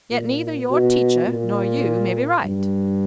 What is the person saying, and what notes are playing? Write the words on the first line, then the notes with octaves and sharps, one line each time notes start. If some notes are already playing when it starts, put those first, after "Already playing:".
Yet neither your teacher nor you may be right.
A#2
B2
A#2
G2